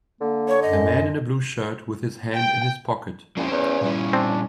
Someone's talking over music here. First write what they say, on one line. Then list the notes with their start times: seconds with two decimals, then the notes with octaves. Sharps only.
A man in a blue shirt with his hand in his pocket.
0.21 D3 A#3
0.48 C#5
0.62 F#2 D#5
2.35 G5
3.37 C2 F3 A#3 C4 C#4
3.51 E2 B3 C5 C#5
3.81 A#2 G3 C#4 E4
4.13 C4 D4